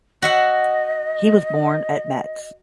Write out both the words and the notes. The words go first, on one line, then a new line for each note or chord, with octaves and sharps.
He was born at Metz.
F#4 D#5 E5 F#5